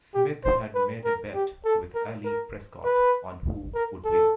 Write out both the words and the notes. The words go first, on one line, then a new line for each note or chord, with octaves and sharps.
Smith had made a bet with Allie Prescott on who would win.
G4
C5
B4
A#4
G4
A4
A#4
A#4
B4
A#4
A4